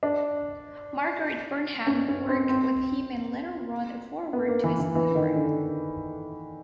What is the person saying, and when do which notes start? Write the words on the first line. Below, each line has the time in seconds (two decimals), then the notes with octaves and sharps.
Margaret Burnham worked with him and later wrote a foreword to his memoir.
0.03 D4
1.87 C#4
2.08 C#4
2.28 C4
2.49 C4
4.33 B3
4.48 A#3
4.64 E3
4.79 E3
4.95 E3
5.15 D#3
5.35 D3